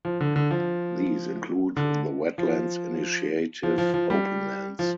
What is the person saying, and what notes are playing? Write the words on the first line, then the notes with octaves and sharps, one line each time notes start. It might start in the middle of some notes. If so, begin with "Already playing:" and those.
These include the Wetlands Initiative, Openlands.
F3
D3
D3
F3
D3
F3
F3
F3
F3
G3
F3